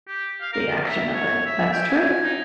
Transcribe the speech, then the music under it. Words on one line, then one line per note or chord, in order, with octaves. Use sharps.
The action of it. That's true.
G4
F5
A#4
A5
E5
C#5
E5
G5
G#5
D#4